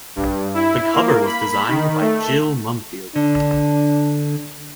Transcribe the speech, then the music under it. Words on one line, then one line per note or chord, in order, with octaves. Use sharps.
The cover was designed by Jill Mumfield.
G2
E4
A#3
B5
D#3
A3
D3 D4